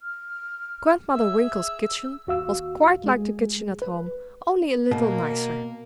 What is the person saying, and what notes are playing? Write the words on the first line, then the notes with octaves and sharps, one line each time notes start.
Grandmother Winkle's kitchen was quite like the kitchen at home, only a little nicer.
F6
G#4 E5 E6
D#2 F#4 F5 E6
G#3 G#4
B4
B2 A#3